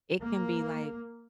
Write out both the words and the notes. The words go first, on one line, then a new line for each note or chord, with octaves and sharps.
it can be, like,
A#3